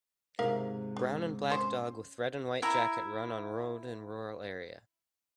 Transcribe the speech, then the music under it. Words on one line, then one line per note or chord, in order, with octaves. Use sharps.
Brown and black dog with red and white jacket run on road in rural area.
G#2 C3 A#4 E5 F5
D4
C#4 C5
E4 E5 A#5